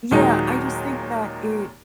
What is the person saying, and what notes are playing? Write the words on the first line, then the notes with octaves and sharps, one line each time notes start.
Yeah, I just think that it
D#2 A#2 F#3 G#3 D#4